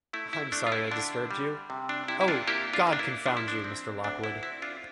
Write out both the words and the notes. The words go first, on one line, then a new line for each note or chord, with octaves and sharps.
I’m sorry I disturbed you. Oh, God confound you, Mr. Lockwood!
A3 E4
E4
A3 D4
F4
E4
D3 D4
G3
C3
D4
C3 E4
E4
D4 F4
A#3 E4 G4
D4 F4
A#3
D4
E4
F3 D4
E4
D4
C4
D2 D4
E4
C4 E4
D4 F4